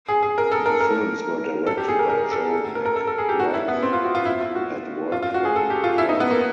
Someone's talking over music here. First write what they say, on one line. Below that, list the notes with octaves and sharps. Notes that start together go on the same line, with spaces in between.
The films were directed by Joe McGrath, who had worked on Help!
G#4
G#4
A#4
A4
A#4
A#4
A4
G4
G#4
A#4
A#4
A4
A4
A#4
A#4
A4
A4
G#4
G4
F#4
E4
B3
C4
F4
F#4
F4
E4
F4
F#4
F4
F4
F#4
G#4
A4
G4
F4
E4
D#4
B3
A#3